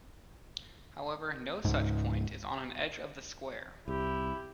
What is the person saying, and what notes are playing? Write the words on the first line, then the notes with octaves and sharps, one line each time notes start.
However, no such point is on an edge of the square.
C#2 G#2
C2 E4 G4